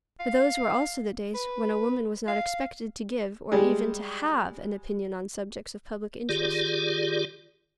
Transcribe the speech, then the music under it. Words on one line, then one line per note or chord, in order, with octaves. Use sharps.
But those were also the days when a woman was not expected to give, or even to have, an opinion on subjects of public interest.
F5
B4
F5
G3 G#3
D#3 F4 G4 G#4 D5